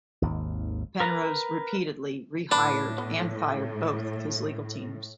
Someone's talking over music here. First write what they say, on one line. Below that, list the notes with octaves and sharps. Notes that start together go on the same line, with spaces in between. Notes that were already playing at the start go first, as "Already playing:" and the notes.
Penrose repeatedly rehired and fired both of his legal teams.
G#1 D#2
A#4 B4 A#5
A2 D4 B4 B5
B3